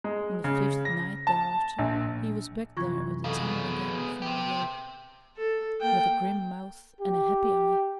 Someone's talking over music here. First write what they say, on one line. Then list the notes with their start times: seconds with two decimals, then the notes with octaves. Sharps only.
On the fifth night, thereafter he was back there at the tunnel again from New York--with a grim mouth and a happy eye.
0.04 G#3
0.44 C#3
0.85 A#6
1.27 A5
1.78 A#1
2.77 F#2 C3 E3 F4 C#6 G#6
3.24 B2 G#3 A4 F5
3.89 B3
4.22 C3 G4
5.37 A4
5.81 A#3 G5
7.00 G4